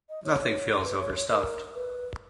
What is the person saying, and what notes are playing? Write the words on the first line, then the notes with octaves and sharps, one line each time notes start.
Nothing feels overstuffed.
D#5
C#5
B4
C#5
C#5
A#4
B4